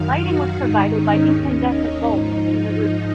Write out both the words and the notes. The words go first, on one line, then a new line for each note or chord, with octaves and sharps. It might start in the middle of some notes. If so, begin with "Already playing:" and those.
Lighting was provided by incandescent bulbs in the roof.
Already playing: F#2 D#3 F5
F#4
G#2 D#3 D#4
C#4
D#2 D#3
D#4
G#2 F3